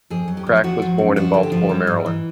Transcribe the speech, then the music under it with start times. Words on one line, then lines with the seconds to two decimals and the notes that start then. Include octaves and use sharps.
Krack was born in Baltimore, Maryland.
0.10 F2 G#4
0.28 F#3
0.37 G4
0.47 F2
0.64 F3 F#4
0.82 F3
0.98 F#2
1.16 F3 F#4
1.34 D3
1.43 G4
1.52 F3
1.69 G3
1.87 G#2
2.06 E3